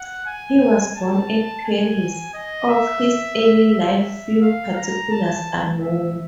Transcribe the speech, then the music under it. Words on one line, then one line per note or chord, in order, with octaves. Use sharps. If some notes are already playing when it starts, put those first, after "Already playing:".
He was born at Paris; of his early life few particulars are known.
Already playing: F#5
G#5
A5
G#5
D#5
E5
E5
F5
A#5
A5
E5